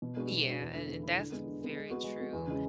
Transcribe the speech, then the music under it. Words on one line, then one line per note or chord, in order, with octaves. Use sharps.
Yeah. And and that's very true.
B2
G#3 B3 D4 F#4
B2
G#3 B3 D4 F#4
E2
D3 A3 E4
E2
D3 A3 E4
D3
G#3 B3
D3
G#3 B3
G#3
B3 F#4
G#3
B3 F#4
E2
C#3 G#3 C#4